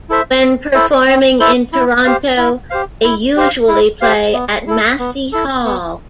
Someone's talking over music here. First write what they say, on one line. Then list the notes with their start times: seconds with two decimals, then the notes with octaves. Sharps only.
When performing in Toronto, they usually play at Massey Hall.
0.09 E4 A4 C5 E5
0.42 C4
0.74 E4 A4 C5 E5
1.07 C4
1.40 E4 A4 C5 E5
1.73 E4
2.05 G4 C5 F5
2.38 E4
2.70 G4 C5 F5
3.03 E4
3.36 G4 C5 F5
3.68 E4
4.01 G4 C5 F5
4.33 B3
4.67 E4 A4
4.99 B3
5.32 E4 A4
5.65 B3